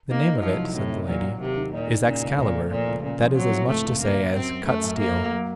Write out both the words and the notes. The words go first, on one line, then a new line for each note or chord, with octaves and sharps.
The name of it, said the lady, is Excalibur, that is as much to say as Cut-steel.
A#3 D#4
D#4
F3 F#3
C2
A2 C3
D#4
A#2 F#3
F#3
D#2 C3
D#3
A#2 D#4
D#4
A#2 C#3
C#2
F2 A#2
A3
A#2 F3
C#2
A#2 C#3
F3
F#3 C4
A2
C#2 A3
C#2
F#2 A#3
F#2
F#3 C4
F#3
F#2 A3
F#2
A3 A#3
F#3
F#3